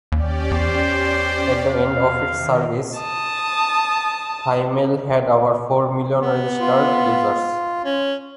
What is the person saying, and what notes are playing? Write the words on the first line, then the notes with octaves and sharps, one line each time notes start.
At the end of its service, Thaimail had over four million registered users.
D#2 C#4 G4 D5
E2 C5
B2 F5
C3 D#3
A5 D#6
B3
F4
C#4